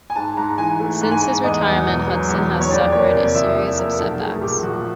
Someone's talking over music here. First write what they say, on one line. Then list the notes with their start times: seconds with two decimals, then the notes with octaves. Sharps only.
Since his retirement, Hudson has suffered a series of setbacks.
0.10 G#5
0.16 G#2 A5
0.37 G#2 A#5
0.58 E3 G#5
0.79 A3
1.01 G#2
1.11 G#5
1.22 G#2
1.43 E2 D#5
1.65 E2
1.86 B2
2.07 F#3
2.29 E2
2.50 E2
2.61 C#5
2.70 F2 D5
2.92 A#3 C#5
3.13 C3 D5
3.35 F3 E5
3.56 F2
3.77 A#3 A#4
3.98 B1 A4
4.20 A3 G#4
4.41 A#2 G4
4.62 F3 F#4